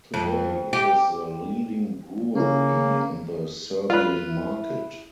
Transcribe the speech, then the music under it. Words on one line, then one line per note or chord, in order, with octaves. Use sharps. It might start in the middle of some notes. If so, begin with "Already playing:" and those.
Today, it is the leading brewery on the Serbian market.
F2
G4
C#3 A#3 C#4 E4
F4 B4
E4